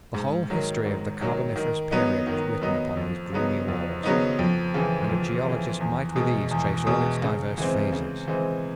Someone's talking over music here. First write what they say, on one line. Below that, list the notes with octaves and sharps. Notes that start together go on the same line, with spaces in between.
The whole history of the carboniferous period was written upon these gloomy walls, and a geologist might with ease trace all its diverse phases.
G#2
D#3 F#3
G#2
D#3 F#3
D#3
F#3 B3 D#4
D#3
F#3 B3 D#4
F2
C#3 F#3 B3 D#4
F2
C#3 F#3 B3 D#4
F2
C#3 E3
F2
C#3 E3
E2
B2 G#3
E2
B2 G#3
C#3
E3 G#3 C4
C#3
E3 G#3 C4